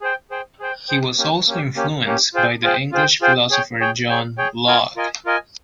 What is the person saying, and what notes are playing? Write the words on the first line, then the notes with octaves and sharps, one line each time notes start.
He was also influenced by the English philosopher John Locke.
G#4 C5 G5
G#4 C5 G5
G#4 C5 G5
G#4 C5 G5
A#3 C#4 G4
A#3 C#4 G4
A#3 C#4 G4
A#3 C#4 G4
F4 G#4 C5 G5
F4 G#4 C5 G5
F4 G#4 C5 G5
F4 G#4 C5 G5
G#4 C#5 G5
G#4 C#5 G5
G#4 C#5 G5
G#4 C#5 G5
F4 A#4 D#5 G#5
F4 A#4 D#5 G#5
F4 A#4 D#5 G#5